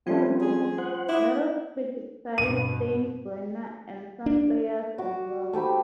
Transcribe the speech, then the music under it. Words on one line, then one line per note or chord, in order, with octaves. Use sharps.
In the book, Nettles criticized Steinbrenner and some players as well.
F3 G3 A3 C4 C#4 F4
G#4
C5 F#5
E4 D6 D#6
G2 B2 D#7
D4
F#4 D6
A3 G4 C5 B5